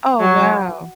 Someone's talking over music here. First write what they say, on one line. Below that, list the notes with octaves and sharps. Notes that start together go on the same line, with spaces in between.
Oh, wow.
F#3